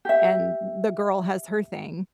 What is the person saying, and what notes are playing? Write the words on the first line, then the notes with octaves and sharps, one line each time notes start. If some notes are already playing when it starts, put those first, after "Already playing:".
and th the girl has her thing-
G4 E5